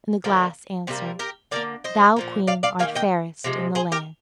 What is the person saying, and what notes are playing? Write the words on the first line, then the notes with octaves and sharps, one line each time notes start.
And the glass answered, "Thou, Queen, art fairest in the land."
D3 F3 A#3
C3 G3 A#3 C4
G4 A#4
D3 G3 A#3 A#4 D5
C5 D#5
A#2 F3 A#3
D5 F5
D5 F5
D#3 G3 A#3 F5 G#5
D#5 G5
C3 F3 G#3
G#4 C5
G4 A#4